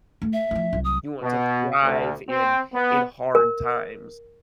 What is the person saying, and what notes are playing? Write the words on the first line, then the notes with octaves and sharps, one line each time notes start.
you want to thrive in in hard times.
A3
E5
F3 E4
C2 F#3
D#6
B2
D2
C4
B3
A#4